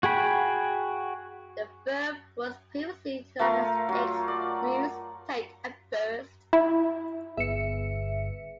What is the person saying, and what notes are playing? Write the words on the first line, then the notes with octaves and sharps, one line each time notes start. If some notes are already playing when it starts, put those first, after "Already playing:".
The firm was previously known as Hicks, Muse, Tate and Furst.
F#4 G#4 G5 B5
A3 F4 A#4 F5
F#3 F4
D5
E4
G1 B3 G#4 B4 E5 C#7